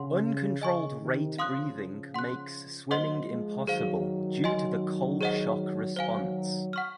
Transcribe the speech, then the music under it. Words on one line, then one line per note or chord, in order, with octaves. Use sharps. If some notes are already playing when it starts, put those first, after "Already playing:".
Uncontrolled rate breathing makes swimming impossible due to the cold shock response.
Already playing: C#3 F#5 C6
C#3 D#5 G#5 C#6
C3 D#3
C#3 F3 F5 C6 D#6 F#6
F#5 C6 F#6
F#3 A#3 C5 D#5 F#5 C6
F3 G#3
D#3 F#3 G#4 C5 F5
D#5 G#5 C6
G#4 C5 D#5 F#5
D#3 F#3 C5 F5 G#5
F#5 C#6 F6